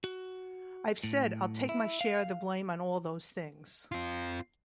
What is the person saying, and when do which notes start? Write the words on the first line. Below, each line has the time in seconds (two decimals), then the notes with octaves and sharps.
I've said I'll take my share of the blame on all those things.
0.04 F#4
1.04 A2
1.69 E4
2.01 F5
3.92 C4 F4